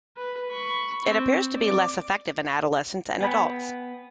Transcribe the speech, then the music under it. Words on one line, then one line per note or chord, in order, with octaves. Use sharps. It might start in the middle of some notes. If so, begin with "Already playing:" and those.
It appears to be less effective in adolescents and adults.
B4
B5 C#6
C4
D5 D6
B3 G5 G#5 B5